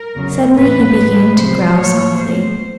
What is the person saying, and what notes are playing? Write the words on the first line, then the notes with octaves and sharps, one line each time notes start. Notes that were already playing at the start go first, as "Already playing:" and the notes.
Suddenly he began to growl softly.
Already playing: A#4
E2 C#3 F#3
A2 E3 A3 B4
A2 E3 G#3 B3
C3 F3 G#3 C5
A2 F#3 A#3 C#5
B2 F#3 A3 C5